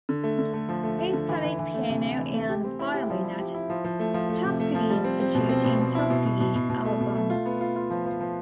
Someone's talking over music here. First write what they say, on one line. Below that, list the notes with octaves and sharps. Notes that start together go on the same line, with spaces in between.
He studied piano and violin at Tuskegee Institute in Tuskegee, Alabama.
D3
A3
D3
A3
F3
A3
A3
D3
E3
E3
E3
A3
C3
A3
E3
A3
G4
C4
E4
G4
F3
E4
G4
E4
F3
F3
A3
F3
A3
C3
A3
F3
G3
C4
C4
B2
C4
B2
C4
E4
B2
B2
B2
B2
B2
A3
B2
A3
F4
B3
F4
F4
F3
F3
F3